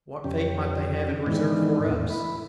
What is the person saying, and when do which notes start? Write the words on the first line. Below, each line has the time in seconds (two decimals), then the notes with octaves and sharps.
What fate might they have in reserve for us?
0.24 F2 C#3 C#4 G4
1.26 G#2 D#3 E3 B3 D4 D#4
1.86 E2 A2
2.10 E4 B5